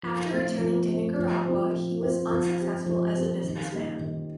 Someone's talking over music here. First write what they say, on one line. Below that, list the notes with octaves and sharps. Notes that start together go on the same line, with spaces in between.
After returning to Nicaragua, he was unsuccessful as a businessman.
F3
A3 C4
F3
A3 C4
F3
C4 F4
F3
C4 F4
F3
C4 G4
F3
C4 G4
D#3
G3 A#3 D#4
D#3